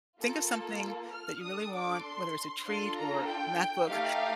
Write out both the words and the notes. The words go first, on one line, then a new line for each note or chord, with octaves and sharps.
Think of something that you really want, whether it's a treat or MacBook,
A#3 F4 A4
F6
D4 A4 D#6
D6
C6
D4 F4 A4 C6
A#5
G5
A3 D#4 G4 F5